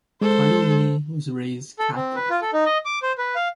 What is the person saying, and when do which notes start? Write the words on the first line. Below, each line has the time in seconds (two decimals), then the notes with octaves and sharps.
Cardellini was raised Catholic.
0.21 G#3 A4 C5
1.79 A4
1.95 C4
2.16 B4
2.30 F4
2.42 A4
2.53 D#4
2.66 D#5
2.85 D6
3.03 C5
3.18 B4
3.35 F5